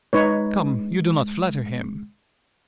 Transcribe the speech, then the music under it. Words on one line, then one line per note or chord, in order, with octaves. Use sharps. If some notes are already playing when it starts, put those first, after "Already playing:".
"Come, you do not flatter him."
G#3 D#4 B4 C#5